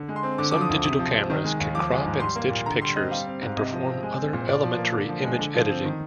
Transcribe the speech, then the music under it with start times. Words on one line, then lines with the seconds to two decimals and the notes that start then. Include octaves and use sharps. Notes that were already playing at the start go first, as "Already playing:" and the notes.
Some digital cameras can crop and stitch pictures and perform other elementary image editing.
Already playing: D3
0.09 G#3
0.16 C6
0.23 C4
0.38 D3 D6
0.51 F3 D6
0.61 D#6
0.69 D2
0.84 C3 D#6
0.99 F3
1.14 C4
1.30 D#3
1.45 G#3
1.60 D#2
1.75 F3 D6
1.90 G#3
2.06 G#2
2.20 G3 C6
2.36 A#3
2.50 A#2
2.66 D3 A#5
2.81 G3 C6
2.96 C4 D#5
3.11 G3 F5
3.27 C4
3.42 G#2
3.57 C3 D#5
3.72 F3
3.88 C4
4.03 G#3
4.18 C4
4.33 A#2
4.39 C5
4.48 A#2 D5
4.63 F3
4.78 A#3
4.93 D3
5.09 F3
5.23 G#3
5.39 D3
5.54 F3
5.70 C4
5.85 D#3